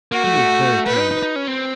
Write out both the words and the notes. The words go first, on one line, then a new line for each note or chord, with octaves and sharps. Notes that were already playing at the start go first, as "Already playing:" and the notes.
"He is very kind."
A#3 F#4
A3
A3
A3 B4
D#4
D#4
D#4
C#4
C4